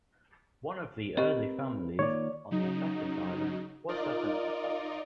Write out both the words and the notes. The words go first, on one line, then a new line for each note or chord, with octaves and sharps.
One of the early families on Thetis Island was the Hunter family.
C4 G4 A#4 B4 D#5
D#3 A#3 F4 C#5 D5
C#3 F#3 D#4
D#4 F4 A#4 D5 D#5